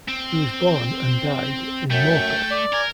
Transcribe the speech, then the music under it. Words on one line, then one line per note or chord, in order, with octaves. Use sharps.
He was born, and died, in Morpeth.
C4
F#2 A3 G5
D5
A#4 G#5